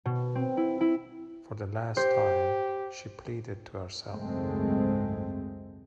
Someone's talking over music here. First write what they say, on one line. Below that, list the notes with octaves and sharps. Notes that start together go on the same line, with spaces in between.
"For the last time," she pleaded to herself.
B2
C4
E4
E4
G4 C5
G#1 C#2 F#2 G#3 A3 C4